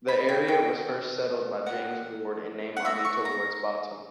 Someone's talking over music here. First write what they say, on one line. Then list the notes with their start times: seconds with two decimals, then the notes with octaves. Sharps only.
The area was first settled by James Ward and named Arminta Ward's Bottom.
0.08 B5
0.29 G5
0.47 B3 F#4 G5
1.66 A#3 E4 G4 F#5
2.77 F#5
2.85 B3 F#4 E5
3.05 C#6
3.25 A#5